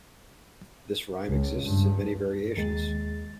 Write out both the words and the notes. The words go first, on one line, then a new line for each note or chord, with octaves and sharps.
This rhyme exists in many variations.
C#2
G2
D#2 G#3 A6